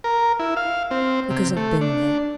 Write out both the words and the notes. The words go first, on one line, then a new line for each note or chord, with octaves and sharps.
Because I've been there.
A#4
E4
F5
C4
C3
A3
D4